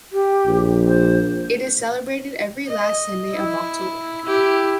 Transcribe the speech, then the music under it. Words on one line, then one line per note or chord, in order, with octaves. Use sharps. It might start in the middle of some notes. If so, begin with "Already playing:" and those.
It is celebrated every last Sunday of October.
G4
A#1
C5
D#5
E4
E4 G4